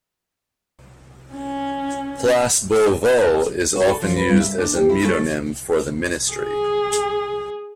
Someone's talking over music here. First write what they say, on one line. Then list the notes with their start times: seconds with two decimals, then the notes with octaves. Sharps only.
"Place Beauvau" is often used as a metonym for the ministry.
1.33 C#4
3.76 F#4
3.88 A4
4.02 F3
4.16 B4
4.29 G2
4.40 E5
4.58 D4
4.75 G4
4.89 E4
5.05 A3
6.32 G#4